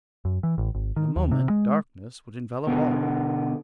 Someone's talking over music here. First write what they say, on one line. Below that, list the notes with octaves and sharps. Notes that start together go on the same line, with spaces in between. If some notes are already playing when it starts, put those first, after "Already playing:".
In a moment darkness would envelop all.
F#2
E3
A1
G#1
D#3
D#2
C3
G#3
B2 D3 B3